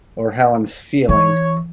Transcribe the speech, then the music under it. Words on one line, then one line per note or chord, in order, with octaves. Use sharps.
or how I'm feeling.
E3 C#5